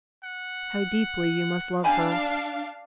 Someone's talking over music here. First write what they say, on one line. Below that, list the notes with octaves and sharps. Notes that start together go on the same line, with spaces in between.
How deeply you must love her.
F#5
D4 G4 F5 G#5 B5